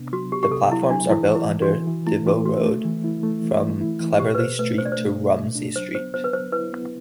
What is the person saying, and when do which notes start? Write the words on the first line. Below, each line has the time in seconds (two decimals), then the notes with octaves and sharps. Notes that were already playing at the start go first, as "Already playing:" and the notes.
The platforms are built under Des Voeux Road from Cleverly Street to Rumsey Street.
Already playing: C3 B3 D4
0.13 F#3 F#4
0.32 B3 G4
0.43 G4
0.51 C3 A4
0.71 F#3 E4
0.90 F#3 D4
1.10 E3 E4
1.29 E3
1.35 E4
1.49 E3
1.62 F#4
1.68 E3
1.87 E3
2.07 A3 E4
2.26 E3 F#4
2.45 A3 F#4
2.65 A3
2.84 E3
3.04 E4
3.23 A3
3.42 E3
3.62 E3
3.81 E4
4.01 E3
4.19 B2 G4
4.35 B4
4.39 B2 C5
4.59 A3 B4
4.78 D4 C5
4.85 D5
4.92 C5
4.98 A3
5.17 B2
5.37 B2
5.56 D4
5.75 F#3 C5
5.94 B3 C5
6.14 B3 C5
6.24 B4
6.33 F#3 C5
6.52 E4 B4
6.73 B3